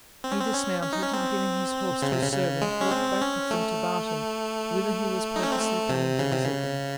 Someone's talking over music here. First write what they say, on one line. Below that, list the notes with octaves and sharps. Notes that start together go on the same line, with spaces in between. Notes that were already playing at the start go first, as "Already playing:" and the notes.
He dismounted, and giving his horse to his servant, walked back with them to Barton, whither he was purposely coming to visit them.
C4
C#4
C4
C#4
C#4
D#4
C#4
C4
C#3
C3
C#3
C#3
G#3
C#4
C4
C#4
A3
D#4
C#4
C4
A3
C3
C#3
C3
C#3